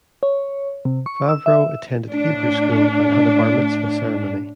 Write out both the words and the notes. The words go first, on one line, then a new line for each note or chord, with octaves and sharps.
Favreau attended Hebrew school and had a Bar Mitzvah ceremony.
C#5
C3
C#6
E6
E5
A2 D4